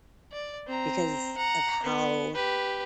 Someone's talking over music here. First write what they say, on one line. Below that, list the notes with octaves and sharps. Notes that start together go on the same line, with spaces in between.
because of how
D5
C4 A#5
F#5 A#5
B3
G4 B4